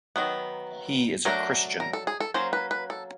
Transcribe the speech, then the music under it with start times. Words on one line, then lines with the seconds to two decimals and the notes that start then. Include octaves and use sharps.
He is a Christian.
0.16 D#3 F#3 B3
1.25 F#3 A3 D4 A#4
1.80 A#4
1.93 A4
2.07 G#4
2.20 A4
2.34 F#3 A#3 C#4 C5
2.53 B4
2.71 B4
2.90 A4